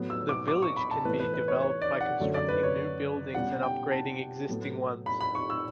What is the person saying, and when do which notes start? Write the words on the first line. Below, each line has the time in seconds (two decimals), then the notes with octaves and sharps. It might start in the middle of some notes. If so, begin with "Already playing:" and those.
The village can be developed by constructing new buildings and upgrading existing ones.
Already playing: A2 F#3 B3
0.10 E6
0.29 D6
0.48 D6
0.62 C#6
0.76 B5
0.91 A5
1.05 A2 E3 B3 B4
1.19 B4
1.34 B4
1.48 C#5
1.62 C#5
1.82 D5
2.01 F#5
2.20 F#2 D3 F#3 A3 C#4
2.34 D5
2.49 B4
2.63 C#5
3.34 B2 G3 C#4 F#5
3.63 G5
3.92 A5
4.49 A2 F#3 B3
5.06 B5
5.21 B5
5.35 C#6
5.50 E6